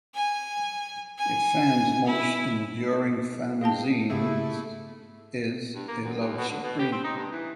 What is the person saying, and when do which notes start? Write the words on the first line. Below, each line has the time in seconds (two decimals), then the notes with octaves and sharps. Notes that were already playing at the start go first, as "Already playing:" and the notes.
The fans most enduring fanzines is "A Love Supreme".
0.15 G#5
1.19 G#5
2.06 E4
3.61 G#4 D#5 F5 G5 A5
4.10 G#2 C#3 A3 E4 G4 G#4
5.75 G2
5.88 A#3
6.04 F#2
6.20 D#2
6.37 B2
6.49 D3
6.64 B2
6.79 G4
6.92 C4
7.04 D#4
7.17 G2
7.32 E3